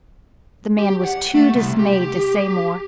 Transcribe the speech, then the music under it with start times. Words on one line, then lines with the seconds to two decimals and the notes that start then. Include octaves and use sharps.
The man was too dismayed to say more.
0.78 G4
1.05 F#5
1.34 A3
1.55 C2
1.79 G4